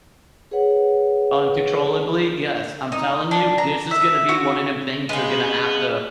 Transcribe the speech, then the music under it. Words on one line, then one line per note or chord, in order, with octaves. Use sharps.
uncontrollably yes, I'm telling you, this is gonna be one of 'em things you're gonna have to
G#4 B4 C#5 F#5
D#4
D4
A#5
E5
F#4
C#3 G#3 B3 B4